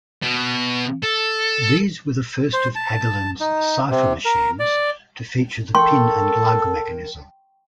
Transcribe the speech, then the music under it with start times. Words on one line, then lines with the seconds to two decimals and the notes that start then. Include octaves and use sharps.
These were the first of Hagelin's cipher machines to feature the pin-and-lug mechanism.
0.23 B2
1.03 A4
2.53 C5
2.75 A5
3.40 D#4
3.90 C3
4.25 A#4
4.59 D5
5.75 A4 A#4 G5 C6 C#6